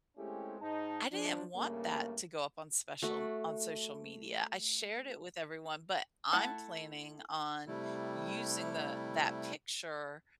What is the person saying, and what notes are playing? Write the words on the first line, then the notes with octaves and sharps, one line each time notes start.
I didn't want that to go up on special on social media. I shared it with everyone, but I'm planning on using the that picture.
G#3 A3 C4 C#4 E4 G4
G#2 D#4 A5
F3 D4
G2 C#3 A3 A#3
A3 F#4
A3 E4 F#5 A5
C3 G3 A3 E4